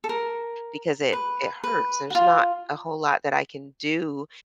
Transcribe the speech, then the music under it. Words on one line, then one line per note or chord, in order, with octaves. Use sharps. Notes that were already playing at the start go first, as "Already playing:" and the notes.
because it it hurts. There's not a whole lot that I can do
A4
A#4
B4
B4
F#4
F4